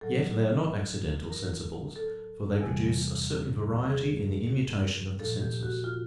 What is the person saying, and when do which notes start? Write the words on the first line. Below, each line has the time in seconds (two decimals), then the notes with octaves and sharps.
Yet they are not accidental sensibles, for they produce a certain variety in the immutation of the senses.
0.01 A2 F#3 A4
1.31 A#4
1.96 A4
2.61 E2 C3 E3 G3
3.89 G#4
5.19 A#2 F3 G#3 A4
5.41 G4
5.63 F#4
5.84 F4